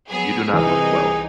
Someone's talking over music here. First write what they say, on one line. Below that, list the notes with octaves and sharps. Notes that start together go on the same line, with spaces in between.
You do not look well.
F#3 B3 G#4
C2 E3 D#4 G#4